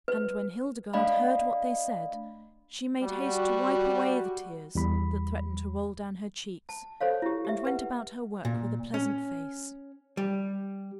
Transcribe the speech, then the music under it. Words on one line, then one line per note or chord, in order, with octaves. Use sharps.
And when Hildegarde heard what they said she made haste to wipe away the tears that threatened to roll down her cheeks, and went about her work with a pleasant face.
B4
A3 D4 D5 D#5 F5 B5
G3 F#4
E2 G3 B5
A5
A4 C5 C#5 F5
E4 G4
G4 E5
B4 F#5
A#2
C#4
G3